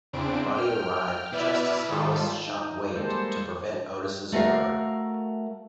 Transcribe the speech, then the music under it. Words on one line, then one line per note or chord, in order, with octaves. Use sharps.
Buddy arrived just as Hollis shot Wade to prevent Otis's murder.
E2 C#3 C4 D4 D7
G5 F6
B2 E4 B4 D5 E5 F6
G#2 D#3 G3 F4 A4
D#4
G3 G#3 A#3 A4 C5
A3 F#4 A#4 F5